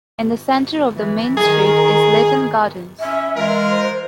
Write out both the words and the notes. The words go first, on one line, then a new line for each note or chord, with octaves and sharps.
In the centre of the main street is Leighton Gardens.
E3
D#3 G#4
C#4 E5
E3 G#3 F4 A#4
C5